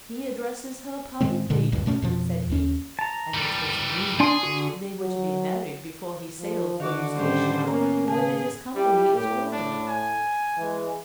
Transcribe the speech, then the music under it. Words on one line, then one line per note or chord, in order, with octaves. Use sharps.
"He addresses her publicly," said he, "and it was rumoured they were to be married before he sailed for Eustatia, whither his company is ordered."
A2 D#3 G#3 C4
A#2 D3 G#3
A1 D2 G2
B2 A3 C4 C#4
F2 B2 F3
D#2 C#4
A5 A#5
E3 G3
D4 G#4 G#5 C6
D3 F#4
F#3
F3
D3 D#3 F#4 D6
A2 D#3 G3 C#4 C5
A#3 B3 C#4 A#5
C#3 G#4 G#5 A5
G3 E4 G4
A2 G4
D4
G#5
E3 G#3